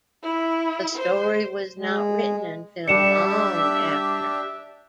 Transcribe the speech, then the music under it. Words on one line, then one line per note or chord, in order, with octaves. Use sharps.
The story was not written until long after.
E4
C5
G#3
G3 D4 G4 D5 E5 C#7 E7